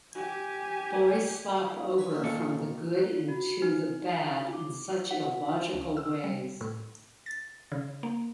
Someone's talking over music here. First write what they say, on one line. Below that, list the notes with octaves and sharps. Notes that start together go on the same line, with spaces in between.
Boys slop over from the good into the bad in such illogical ways.
G4 G#5
B4 G#5
D#3 A#3
A#2 A4 C#5
F4
F#4
D#4
D6
F#5
C#2
E6
G3
A2
A6
C#3
A#3